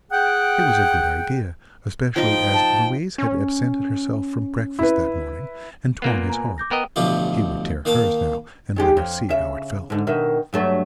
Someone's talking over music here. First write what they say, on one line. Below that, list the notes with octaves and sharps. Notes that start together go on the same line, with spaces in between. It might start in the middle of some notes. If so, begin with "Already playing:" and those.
It was a good idea; especially as Louise had absented herself from breakfast that morning, and torn his heart; he would tear hers, now, and let her see how it felt.
G#4 F#5 G5
F3 D#4 G5
A5
C#4
E4 B4
A#2 A#3 B3 C7
G#5 A#5
D6 G6 A#6
B3 A#4 D#5 G5
A1 D2 B2 F3 G4
D#3 A#3 A5
D#3 G#3 G4
F2
C#3 E5
G#2 D3
B2 D#3 E5
G2 F#3 A3